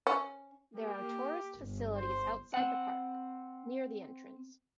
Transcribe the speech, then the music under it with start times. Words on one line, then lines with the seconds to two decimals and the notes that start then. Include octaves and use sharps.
There are tourist facilities outside the park, near the entrance.
0.07 C#4
0.76 A#3 G4
1.54 G1
1.96 C5
2.54 C4 F#5